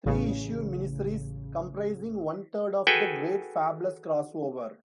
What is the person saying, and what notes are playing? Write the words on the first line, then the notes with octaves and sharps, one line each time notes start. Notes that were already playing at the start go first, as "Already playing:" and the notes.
Three issue miniseries comprising one third of "The Great Fables Crossover".
A1 C#3
F#4 G#4 A4 B4 G5 G#5